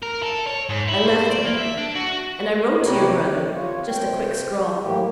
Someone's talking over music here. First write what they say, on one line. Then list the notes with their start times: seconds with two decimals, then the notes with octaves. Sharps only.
I left her, and I wrote to your brother--just a quick scrawl.
0.02 A#4
0.23 A4
0.47 C#5
0.69 G#2
0.89 E4
1.07 C5
1.31 D5
1.45 A#3
1.58 E5
1.78 D4
1.96 F#4
2.84 C3 G4 B4 C#5 D5 A#5
3.22 C3
3.53 F4 C#5
3.89 C3 G5
4.83 A2 E3 F#3 A#3 G4